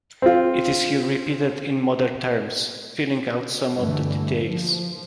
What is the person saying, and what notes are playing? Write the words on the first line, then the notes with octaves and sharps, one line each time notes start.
It is here repeated in modern terms, filling out some of the details.
C4 F4
G2 D3 E3 A3
F3